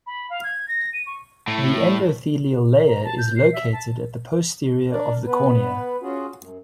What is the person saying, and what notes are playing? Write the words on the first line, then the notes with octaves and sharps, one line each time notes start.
The endothelial layer is located at the posterior of the cornea.
B5
F5
G#6
A#6
D#7
C#6
A2 A3
A#5
A5
G6
C7
E5
A5
D4 A#4 D5
B3 B4
C#4 F4 F#4 G#4
F#2